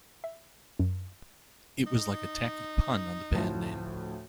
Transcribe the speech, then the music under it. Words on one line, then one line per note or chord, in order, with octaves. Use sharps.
It was like a tacky pun on the band name.
E5
F#2
D#4
D2 A2 F3